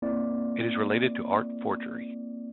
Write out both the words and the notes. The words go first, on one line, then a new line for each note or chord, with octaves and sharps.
It is related to art forgery.
A#3 C4 E4 D5